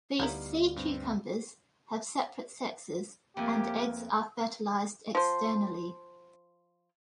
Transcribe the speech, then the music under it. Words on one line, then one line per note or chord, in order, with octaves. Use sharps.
These sea cucumbers have separate sexes, and eggs are fertilized externally.
D2 G3 B3 D#4 E4 A#4 F5
G2 C4
F2 A3 A#3 G4 G#5
F3 C5